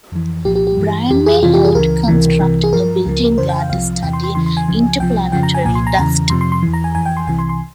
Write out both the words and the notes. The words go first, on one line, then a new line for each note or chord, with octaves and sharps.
Brian May helped construct a building there to study interplanetary dust.
F2 E3
C2 A#2 F3 G4
G4
G4
G2 E3
F2 E3 G4
G#4
F2 C3 E3 F4
G4
G#4
C#2 C#3 E3 A#4
C#2 C3 E3
C2 C3 E3
G#4
G2 F3 A#4
C#2 C#3 F3
F2 C#3 E3 C5
G5
F5
C2 C3 F3 F5
E2 C3 E3 G5
C6
C6
E2 C#3 E3 C6
C6
G#5
C#2 C#3 F3
C2 C3 F3 G5
F2 C#3 F3 G5
A#5
G#5
C2 A#2 F3 G#5
C6
A#5
E2 C#3 E3 A#5
F2 C3 F3 C6
C6
C6
E2 E3
A#5
G#5
F2 E3 G#5
G5
C6
C2 C3 E3 G#5
C6
C6